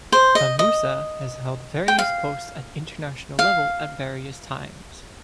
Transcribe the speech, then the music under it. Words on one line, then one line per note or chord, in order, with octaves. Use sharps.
Tun Musa has held various posts at the international level at various times.
C5
D#5
D#5
G5
F5
F5